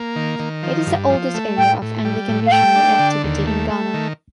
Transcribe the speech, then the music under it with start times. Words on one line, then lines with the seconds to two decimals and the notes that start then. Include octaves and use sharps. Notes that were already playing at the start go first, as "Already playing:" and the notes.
It is the oldest area of Anglican missionary activity in Ghana.
Already playing: A#3
0.16 D#3
0.40 D#3
0.63 F3
0.87 G2
1.10 F3
1.34 A3
1.58 A2 G5
1.82 A2
2.05 G3
2.28 A2
2.46 F5
2.52 A3 G5
2.75 D4
2.99 D3
3.24 D#2
3.47 A3
3.70 A3
3.94 D#3